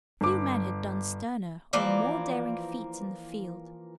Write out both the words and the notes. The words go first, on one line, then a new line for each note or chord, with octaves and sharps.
Few men had done sterner or more daring feats in the field.
G1 D6
E3 F3 A#3 D5